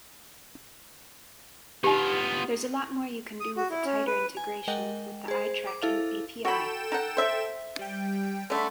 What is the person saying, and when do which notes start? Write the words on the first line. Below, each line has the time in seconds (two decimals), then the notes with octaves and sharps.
There's a lot more you can do with a tighter integration with the eye tracking API.
1.84 B3 D#4 F4 G4
3.40 D#6
3.57 F#4
3.70 E4
3.85 C#4
4.07 B4
4.37 G#5
4.68 G#3 A#4 D#5 F#5 G5
5.28 G#4 C5
5.67 D6
5.82 E4 A4 F5
6.45 F#4 A4 G5 B5 E7
6.92 D#4 F#5
7.17 C5 E5
7.79 G3 G5
8.50 D3 A3 C#4 B5